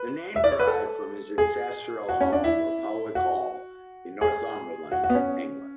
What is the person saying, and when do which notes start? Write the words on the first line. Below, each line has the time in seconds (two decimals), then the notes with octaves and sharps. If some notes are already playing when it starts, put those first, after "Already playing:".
The name derived from his ancestral home of Howick Hall in Northumberland, England.
Already playing: B4
0.36 E5
0.44 D5
0.51 C#5
0.60 B4
0.67 A4
1.38 G#4
2.09 F#4
2.21 C#4
2.32 D4
2.44 E4
3.15 F#4
4.21 G#4
4.92 F#4
5.04 F#4
5.10 B3
5.15 C#4